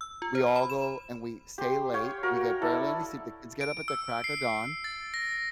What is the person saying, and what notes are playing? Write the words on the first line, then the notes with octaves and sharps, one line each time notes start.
we all go and we stay late, we get barely any sleep, the kids get up at the crack of dawn,
E6
F4
C5
B5
E7
G4 C6
C#5 F5 G5
F#4 A#4
E4 A4 D5
D7
E6
C7
A6
A#6